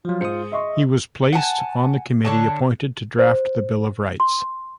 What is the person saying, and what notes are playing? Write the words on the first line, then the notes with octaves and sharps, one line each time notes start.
He was placed on the committee appointed to draft the Bill of Rights.
F3 F#3 F4
G#2 G#4 C5 D#6 C#7
D#5 E5 C6 C#6
F#5 G#5 A5
D3 C#5 A5
C5
C6